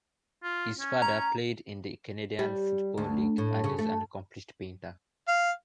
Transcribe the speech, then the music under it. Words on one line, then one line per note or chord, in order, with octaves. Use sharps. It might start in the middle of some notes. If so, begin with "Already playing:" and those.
His father played in the Canadian Football League and is an accomplished painter.
F4
C#4
A#5
G3
D2
A2
C#3
A3
F5